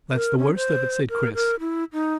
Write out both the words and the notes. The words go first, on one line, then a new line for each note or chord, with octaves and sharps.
"That's the worst of it," said Chris.
A#4
C#4
C5
A#4
A#4
E4
D#4